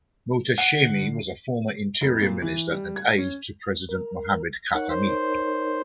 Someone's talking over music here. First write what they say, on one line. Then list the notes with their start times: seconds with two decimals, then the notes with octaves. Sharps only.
Mohtashemi was a former interior minister and aide to President Mohammad Khatami.
0.58 F#5 C7
0.82 D3
2.01 F1
2.21 A#2
2.42 E3
2.71 G3
2.96 G#6
3.18 C#4
3.89 A#4
4.75 D#4 A#4 C#5 F#5
4.90 C5